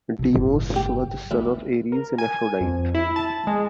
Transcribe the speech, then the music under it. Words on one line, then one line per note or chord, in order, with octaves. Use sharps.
Deimos was the son of Ares and Aphrodite.
B2 D#4
G1 A2 C#3
G4 G5
D2 E4
A#4
G#5
G#5
F2
E4
A5
G#3